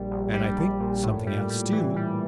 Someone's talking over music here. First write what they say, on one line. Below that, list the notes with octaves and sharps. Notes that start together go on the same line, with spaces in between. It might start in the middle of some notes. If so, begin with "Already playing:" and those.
"And I think something else, too."
Already playing: A#1 G3
A#1
G3
A#1
A#2
A2
G3
G3
E3
G3